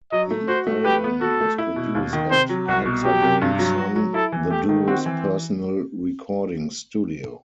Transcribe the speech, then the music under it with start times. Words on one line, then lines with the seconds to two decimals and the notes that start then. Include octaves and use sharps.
The album was produced at Hexagon Sun, the duo's personal recording studio.
0.12 F#3 D#5
0.31 A3
0.48 F#4 C5
0.67 A3
0.85 G4 B4
1.04 B3
1.21 F#4 A4
1.41 A3
1.58 E4
1.76 B2
1.95 D#2
2.13 D#3
2.31 C3 C5
2.49 F#3
2.68 C2 F#4
2.86 B2
3.04 F#3 G4
3.23 C3
3.42 G2
3.59 F#3
3.78 F#4
3.96 F#3
4.14 E4 A4
4.32 E3
4.50 A3 G4
4.69 D#3
4.88 C4 F#4
5.06 E3